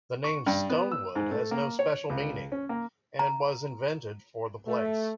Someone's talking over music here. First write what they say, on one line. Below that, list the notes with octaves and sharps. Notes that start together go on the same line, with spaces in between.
The name Stonewood has no special meaning, and was invented for the place.
C#6
G2
B3
E6
G#2
A3
A#3
C#5
C#2
C#4
A#3
A#5
A3